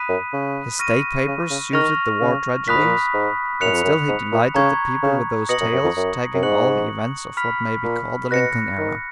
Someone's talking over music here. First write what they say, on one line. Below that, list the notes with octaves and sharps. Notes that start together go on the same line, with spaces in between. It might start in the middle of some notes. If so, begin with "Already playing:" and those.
His state papers suited the war tragedies, but still he delighted the people with those tales, tagging all the events of what may be called the Lincoln era.
Already playing: B5 D#6 F#6 B6 D#7
F#2
C#3
C#6 F6 A#6 D#7
C#3
C#3
D#3 C#6 F6 A#6 F7
C#3
A#2 B5 D#6 F#6 B6
G#2
A#2
G#2
F#2 F#6 C#7 F7
F2
F#2
G#2
A#2
C#3 A#5 C#6 G#6
C#3
B2 D#6 A#6 C#7 F#7
F#2
F#2
F2
F#2
F#2
G#2 C#6 F#6 C#7 F#7
B5 F6 B6
A#2
B2 F#6 A#6 C#7
D#3